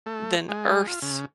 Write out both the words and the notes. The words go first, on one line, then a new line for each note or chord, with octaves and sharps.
than Earth,
A3
G#3
F4
C#3